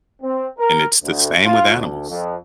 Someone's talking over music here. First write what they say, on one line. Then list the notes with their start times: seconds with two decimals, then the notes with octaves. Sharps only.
and it's the same with animals,
0.22 C4
0.59 A#4
1.02 D2
1.43 F4
1.74 D2
2.09 F2